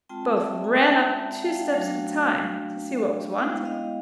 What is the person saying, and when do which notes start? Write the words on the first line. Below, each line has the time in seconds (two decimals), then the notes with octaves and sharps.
Both ran up two steps at a time, to see what was wanted.
0.09 G#3 C4 F4 G5 A5
0.37 D5 E5
0.64 G#5 A#5
0.91 G5 A5
1.40 F#5
1.46 F5 G5
1.74 F#3 A3 D4 F#4
3.38 G#3 B3 E4 F5 G5
3.65 D#5 F5